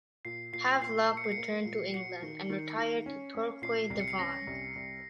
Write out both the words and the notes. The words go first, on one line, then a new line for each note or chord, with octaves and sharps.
Havelock returned to England, and retired to Torquay, Devon.
A#2 C7
A#2 C7
A#2 C7
A#3
C#7
C7
C#7
A#3
A#2
F#4 C#7
D#3
D#3
D#3
C#4
C#4
A#2 C7
C2 C7
C#7
C7
C#4 A#6
C2
C2